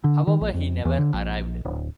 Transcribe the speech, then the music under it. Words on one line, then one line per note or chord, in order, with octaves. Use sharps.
However, he never arrived.
D3
D#3
A#1
F2
E2
D3
A#1
D1